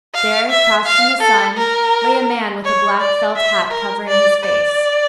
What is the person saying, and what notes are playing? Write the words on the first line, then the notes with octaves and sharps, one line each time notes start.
There, crouched in the sun, lay a man with a black felt hat covering his face.
F5
E5
F5
A4
A#4
C#5
D5
E5
A#4
D5
D5